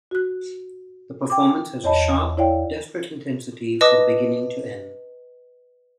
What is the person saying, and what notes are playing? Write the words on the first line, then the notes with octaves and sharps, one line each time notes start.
The performance has a sharp, desperate intensity from beginning to end.
F#4 F#6
G5 D6
E2 C#5 D#5 A5 B5
E4 C#5 D5 F5 G5
B4 D#5 A5 D6 D#6 A#6